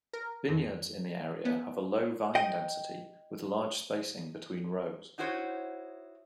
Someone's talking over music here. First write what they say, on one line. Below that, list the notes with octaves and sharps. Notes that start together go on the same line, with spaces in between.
Vineyards in the area have a low vine density with large spacing between rows.
A#4
F2
B3
D#5 G5
D#4 E4 F#4 C5 C#5